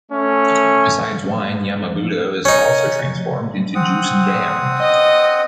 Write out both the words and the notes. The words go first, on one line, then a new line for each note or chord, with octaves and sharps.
Besides wine, yama-budō is also transformed into juice and jam.
A3 C#4
C#4 D#4
C4 F#5 D#6
D#5